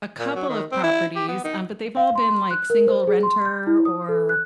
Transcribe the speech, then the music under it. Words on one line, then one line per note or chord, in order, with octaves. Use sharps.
a couple of properties, um, but they've all been, like, single-renter or,
A#2
F#3
D#3
C4
E4
G4
B3
D#4
F5
C6
F#6
A#4
C5
G#4
C6
G6
E4
D#6
A4
F#6